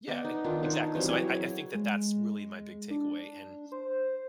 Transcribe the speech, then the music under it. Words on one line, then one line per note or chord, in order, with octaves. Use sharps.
Yeah, e exactly. So I I I think that that's really my big takeaway and
B3 D5 D#5
D#4
D#3 D4 F4
D4 D#4 G#5 A5
E3 F#3 G3 C4
F#3 E4 G#4 C#5
G#3
D4
C5